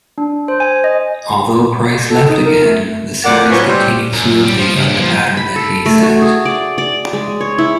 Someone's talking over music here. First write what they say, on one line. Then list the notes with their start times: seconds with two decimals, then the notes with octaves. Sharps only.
Although Price left again, the series continued smoothly in the pattern that he set.
0.18 D4
0.48 C5
0.60 G#5
0.84 D#5
2.10 A4
2.29 D#4
2.45 A#4
2.64 A3
3.24 F2 A#3 D5 F#5
3.50 F#3 B3 C#4 F4 C5
3.66 C3 G3
4.13 F#2
4.30 F#2
4.44 G3
4.58 F3
4.75 C#2
4.89 A#2
5.00 F3
5.37 B5
5.56 A4
5.86 A3
6.02 F#4
6.22 G#4
6.45 D5
6.78 D5
7.13 G#3
7.41 C#5
7.58 E4